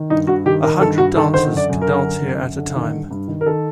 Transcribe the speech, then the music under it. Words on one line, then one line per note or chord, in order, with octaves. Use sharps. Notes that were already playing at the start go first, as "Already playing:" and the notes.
A hundred dancers can dance here at a time.
Already playing: D#3
G2 D#4
G2 F#4
D#3 G4
D#3 A#4
G2 A4
G2 F#4
D#3 A4
D3 C5
F#2
D5
F#2
A#4
D3
D3
F#2
F#2
D3
D#3
G2
G2
D#3
A#4
D#3 A4